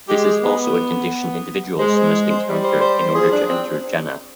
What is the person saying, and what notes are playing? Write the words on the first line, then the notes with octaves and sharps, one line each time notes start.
This is also a condition individuals must encounter in order to enter Jannah.
G#3 G4
G#4
B3
G#3 C5
C5
C5
G3
C5
C5
C5
F3 G#4
D4
C4